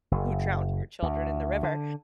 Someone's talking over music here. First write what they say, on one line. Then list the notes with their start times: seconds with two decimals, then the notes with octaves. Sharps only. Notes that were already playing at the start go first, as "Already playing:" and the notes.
who drowned her children in the river,
0.11 F#1
1.02 D2
1.63 D3